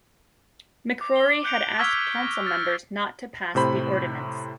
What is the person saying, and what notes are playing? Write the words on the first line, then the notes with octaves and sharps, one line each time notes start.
McCrory had asked council members not to pass the ordinance.
D6
G7
F#6 G6 C#7 D7 F7
C#6 E6 F6 G#6 B6 G7
A#6
F6 A6
A2 C3 C5 B5